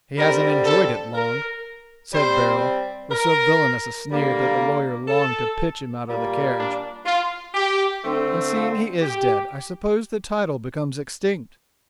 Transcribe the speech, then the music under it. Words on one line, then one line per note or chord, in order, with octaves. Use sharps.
"He hasn't enjoyed it long," said Beryl, with so villainous a sneer that the lawyer longed to pitch him out of the carriage, "and seeing he is dead I suppose the title becomes extinct."
D3 G3 C4 A#4
A4
A#4
C3 G3 C4 C5
A#4
D3 G3 A#3
A4
A#2 G3 A#3
D4
F4
G4
D3 A3 C4
F4
G4